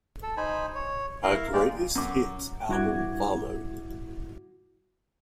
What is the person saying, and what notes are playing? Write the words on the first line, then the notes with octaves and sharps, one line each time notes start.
A "Greatest Hits" album followed.
A4
D#4 C5 G#5 B5
C#5
E4 A#4 F5
G#3 A#3 G4 D5
F#2 D6
G2 E4 F#4 D6 G#6